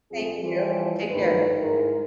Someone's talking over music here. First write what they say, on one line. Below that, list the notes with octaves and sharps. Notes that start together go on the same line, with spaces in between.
Thank you. Take care.
F2 G#4
E3 F3 G3
G2 D#3 A3 B4
G#2 E4 A#4